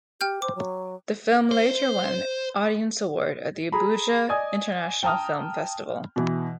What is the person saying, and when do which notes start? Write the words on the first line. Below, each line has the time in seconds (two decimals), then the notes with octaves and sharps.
The film later won Audience Award at the Abuja International Film Festival.
0.21 G4 G5 F6 G6
0.42 C5 D6
0.55 F#3
1.51 C5
3.72 G#4 A#5 B5
4.29 D5 D#5 G#5 D#6 G#6
5.03 G5 A5 A#5 D#6 F6
6.16 B2 E3